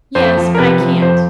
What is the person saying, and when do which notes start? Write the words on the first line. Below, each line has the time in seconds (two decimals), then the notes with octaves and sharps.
"Yes, but I can't."
0.15 F2 C5
0.37 F3
0.55 A#4
0.59 C3 B4
0.81 F3
1.01 F2 C5